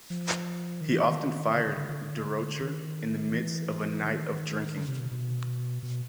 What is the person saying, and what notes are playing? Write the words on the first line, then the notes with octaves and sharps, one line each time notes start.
He often fired Durocher in the midst of a night of drinking.
F3
D#3
E3
D#3
D3
D3
D3
D3
D#3
E3
D#3
D3
C3
B2
B2
B2